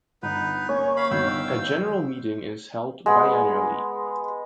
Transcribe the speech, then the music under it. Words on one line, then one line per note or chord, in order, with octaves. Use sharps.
A General Meeting is held biannually.
G1 B3 D#4 B4
A#3 C#4 C#5
F5 B5
G1 B2 D#3 F5 G5 E6
G#3 B3